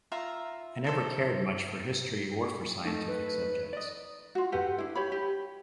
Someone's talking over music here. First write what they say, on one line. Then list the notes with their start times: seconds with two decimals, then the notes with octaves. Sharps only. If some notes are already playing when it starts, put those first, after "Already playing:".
I never cared much for history or for scientific subjects.
0.12 F4 E5 A#5
0.84 D#4 A4 C5
2.85 A3 D#4
3.08 B4
3.73 D5 D#5
4.35 F4 F#4
4.52 G4 A4 B4 F#5
4.78 D4 E4
4.95 G4 C#5 B5
5.12 G4